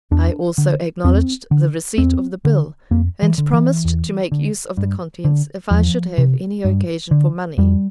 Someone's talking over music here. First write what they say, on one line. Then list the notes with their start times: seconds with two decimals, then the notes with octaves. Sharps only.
I also acknowledged the receipt of the bill, and promised to make use of the contents if I should have any occasion for money.
0.11 E2 D4
0.58 D3
1.04 E2 C4
1.51 D3
1.98 E2 C4
2.45 D3
2.91 F2 A#3
3.22 E3
3.38 D3
3.53 E3
3.85 E2
4.32 D3
4.77 G2
5.24 D3
5.71 E2 F3
6.18 C3
6.65 G2
7.11 D3
7.58 F2 G3